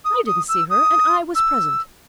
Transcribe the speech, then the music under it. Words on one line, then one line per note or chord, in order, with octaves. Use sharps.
"I didn't see her, and I was present."
D#6
D#6
E6
D#6
E6